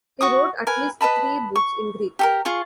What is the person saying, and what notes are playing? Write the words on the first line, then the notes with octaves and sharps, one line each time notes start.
He wrote at least three books in Greek.
F#4 C#6 D#6
A#4 B4 G#5
B4 D#5 A5 B5
C#6
G4 A4 A#4
F4 G#4 C#6